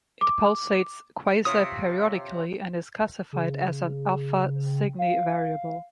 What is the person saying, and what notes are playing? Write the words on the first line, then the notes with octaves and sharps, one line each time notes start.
It pulsates quasi-periodically and is classified as an Alpha Cygni variable.
D6
C3 F4 C#5 D#6
C#3
F5